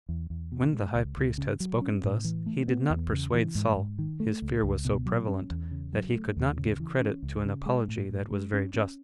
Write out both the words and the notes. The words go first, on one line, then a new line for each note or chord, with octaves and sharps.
When the high priest had spoken thus, he did not persuade Saul, his fear was so prevalent, that he could not give credit to an apology that was very just.
E2
E2
B2
G#3
C#2
C#2
C#3
F#3
C#4
A2
E3
A3
B3
E2
C#3
E3
G#2
G#2
D#3
A3
C#2
C#2
B2
F#3
C#4
E2
C#3
F#3
A3
D#2
C#3
E3
C#4
C#2
C#3
G#3
A2
A2
G#3
C#4
C#4